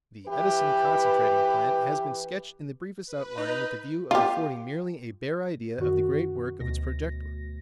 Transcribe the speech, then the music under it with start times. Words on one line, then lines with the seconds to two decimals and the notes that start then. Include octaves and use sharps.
The Edison concentrating plant has been sketched in the briefest outline with a view of affording merely a bare idea of the great work of its projector.
0.26 E3 G4 B4
3.06 B4
3.37 D#4
4.11 F4 G4
5.78 F#2 D#3 F#4
6.60 D2 B2 A#6